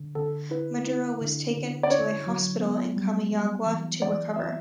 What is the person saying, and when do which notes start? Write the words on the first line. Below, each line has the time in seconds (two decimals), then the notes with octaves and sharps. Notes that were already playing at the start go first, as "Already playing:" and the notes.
Maduro was taken to a hospital in Comayagua to recover.
Already playing: D3
0.15 D3 A4
0.50 E4 B4
0.86 E4
1.21 D3
1.56 D3
1.83 D5
1.90 C#4 C#5
2.26 F#3
2.61 B3
2.96 G3
3.32 G3
3.66 E3
4.02 E3 D5
4.36 E3 E5